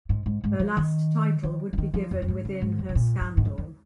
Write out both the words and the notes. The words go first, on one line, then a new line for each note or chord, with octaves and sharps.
Her last title would be given within her scandal.
G#2
G#2
G#2
F3
D#3
D#3
F3
D#3
F3
F2
F2
G#2
C#3
G#2
F2
C#3
A#2
G#2
G#2
F2
F2